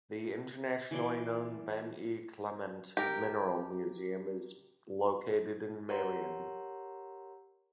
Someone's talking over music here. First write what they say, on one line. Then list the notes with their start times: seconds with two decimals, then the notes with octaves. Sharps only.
The internationally known Ben E. Clement Mineral Museum is located in Marion.
0.91 E3 D5 C6
2.97 G4 A#4
5.89 G4 A#4 C#5 F#5 A#5 C6